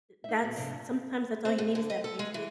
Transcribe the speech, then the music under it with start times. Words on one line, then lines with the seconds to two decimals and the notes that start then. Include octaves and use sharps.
that's sometimes that's all you need is that basic
0.24 D#4 E5
0.41 D2 A#2 B3
0.56 G#2 C3 F3 B3 D4
1.45 C4
1.58 G#2
1.75 D3
1.90 D#5
2.04 A4
2.19 G#3
2.34 E3